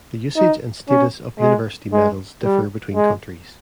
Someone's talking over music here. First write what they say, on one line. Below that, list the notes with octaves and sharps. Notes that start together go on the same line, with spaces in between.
The usage and status of university medals differ between countries.
D#4
C#4
G#3
G#3
G3
G#3